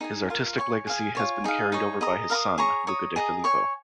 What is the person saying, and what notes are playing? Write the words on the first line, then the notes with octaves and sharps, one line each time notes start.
His artistic legacy has been carried over by his son Luca De Filippo.
D#4 G#4 D#5 G#5
F4 A#4 F5
C#5 G#5 C#6
G#4 F5 G#5
F4 C#5 G#5
D#4 G#4 F5
D#4 G#4 C#5
G#4 D#5 A#5 D#6
A#4 F5 A#5 D#6
G#4 C#5 A#5 C#6
C#5 A#5 D#6
G#4 D#5 A#5
C#5 G#5 C#6